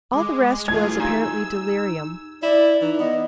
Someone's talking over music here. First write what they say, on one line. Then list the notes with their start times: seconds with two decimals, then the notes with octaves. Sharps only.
All the rest was apparently delirium.
0.13 G#3 D6
0.68 E3 A3 F4 G#4 G#6
1.00 D#4 G4 G#5 A#5 E6
2.43 E4 D5
2.81 E3 D#4
3.00 B3 D#5